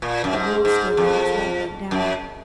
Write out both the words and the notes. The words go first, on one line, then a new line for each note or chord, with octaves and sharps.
Raoul stood with his head bent down.
A#2
F#2
G#2
G#2
F2
F#2